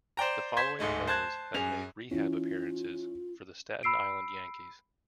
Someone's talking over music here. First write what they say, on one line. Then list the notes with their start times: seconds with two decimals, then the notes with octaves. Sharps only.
The Following players have made rehab appearances for the Staten Island Yankees.
0.17 C5 D5 G5 A#5
0.57 C5 C6 G#6 B6
0.79 D1 G#2 G#3 A3
1.07 C5 A5 F#6 G#6
1.54 F#2 G#4 F7
2.11 E3 C#4 F4
3.83 B5 E6 C7 D7